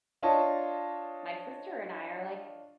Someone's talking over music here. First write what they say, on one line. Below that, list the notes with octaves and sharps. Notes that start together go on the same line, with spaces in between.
my sister and I are, like
D4 F4 C#5 D#5 A5